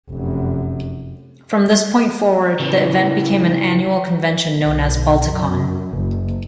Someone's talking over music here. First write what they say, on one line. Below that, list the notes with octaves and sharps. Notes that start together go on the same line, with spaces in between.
From this point forward, the event became an annual convention known as Balticon.
F1 F#2
C#3 E3
B1
F#2
F#1